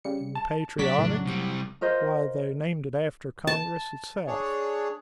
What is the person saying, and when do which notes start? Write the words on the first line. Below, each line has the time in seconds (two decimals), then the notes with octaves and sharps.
And patriotic?--why they named it after Congress itself.
0.04 C#3 G3 C#7
0.35 A5
0.79 F#3 D4 B6
0.98 F2 A2 C#3
1.25 C3 G3
1.81 F4 A#4 C5 D#5
3.47 A5
4.27 D4 G#4 C#5